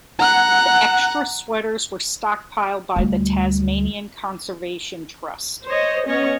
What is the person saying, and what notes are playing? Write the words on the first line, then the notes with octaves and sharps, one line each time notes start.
The extra sweaters were stockpiled by the Tasmanian Conservation Trust.
F#5 A#5 F#6
D2 G3
C5 C#5 D#5
B3 C#4 C#5 D#5